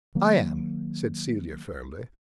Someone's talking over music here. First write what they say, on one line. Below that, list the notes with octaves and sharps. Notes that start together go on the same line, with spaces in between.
"I am," said Celia firmly.
D#3 F#3 A#3